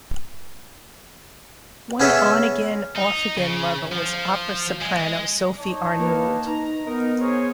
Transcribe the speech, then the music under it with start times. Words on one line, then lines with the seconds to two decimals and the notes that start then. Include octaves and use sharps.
One on-again-off-again lover was opera soprano Sophie Arnould.
2.00 B3 C#4 G#4 A4 E5
2.96 D#4
3.37 C#3
3.92 F3
4.82 G#3
5.58 D#4 C#5 A5
5.99 A#3 B4
6.46 D#4 A#5
6.87 B3 D#4 A#4
7.20 G#4 C5 C#5